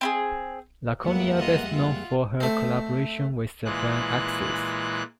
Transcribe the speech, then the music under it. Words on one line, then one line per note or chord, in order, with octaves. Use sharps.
Lakonia, best known for her collaborations with the band Axxis.
C4 E4 G#4
F2 G3 G#3 A#3 B3 E5 F#5
F4 D#5
A#3 F4
A3 C4
A#2 E3 G#3 F#6